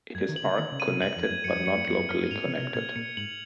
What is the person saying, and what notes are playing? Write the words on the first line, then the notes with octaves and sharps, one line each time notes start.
It is arc connected but not locally connected.
F#2 G#6
D#3
F#7
C#3
D#3 F#7
C#3
D#7
C3
F#2 F#7
F2
G#6
F#2
F#2 C#7
F2
F#2 C#7
F#2
F2 C#7
F#2
F#2 F6
F#2
G#2 F7
C#3
C#7
C3
A#2 G#6
A#2 C#7
G#2 F#7